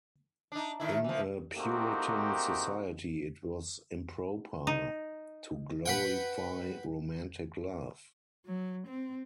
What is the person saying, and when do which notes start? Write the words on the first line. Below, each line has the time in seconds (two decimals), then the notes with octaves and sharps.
In a Puritan society it was improper to glorify romantic love.
0.52 D4 D#4
0.80 A2 D#3 E4
1.04 E3 F3
1.56 A3 A#3 C4 D#4 F#4 G4
4.67 D#4
5.86 B4 F#5 G5
8.46 F#3
8.87 C4